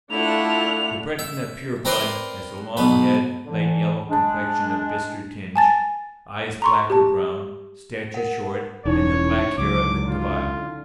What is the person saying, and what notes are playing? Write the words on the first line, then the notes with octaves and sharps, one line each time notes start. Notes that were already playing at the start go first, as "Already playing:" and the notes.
The Breton of pure blood has a long head, light yellow complexion of bistre tinge, eyes black or brown, stature short, and the black hair of the Cabyle.
A3 D4 E4 F4 F#5 F7
E5
C4 A#4 B4 D5 C6
B1 B4
D3 E3
G#3 D4
G#5 A5 A6
A#5 C6 C#6
G4 A5
A#4 F#5
E1 C#4 D#4 E4 C#5
C#2 D3 F#3 D6
D3 F4